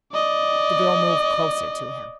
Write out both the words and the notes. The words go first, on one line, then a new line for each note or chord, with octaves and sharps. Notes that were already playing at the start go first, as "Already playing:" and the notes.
The girl moved closer to him.
D5 D#5